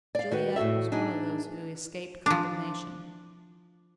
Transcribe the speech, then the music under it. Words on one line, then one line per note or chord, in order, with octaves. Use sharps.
Juliette was one of those who escaped condemnation.
D5 F5
D#3 F#4 B4
A2 F#4 A4 E5
D4 D#4 G#4
F3 D4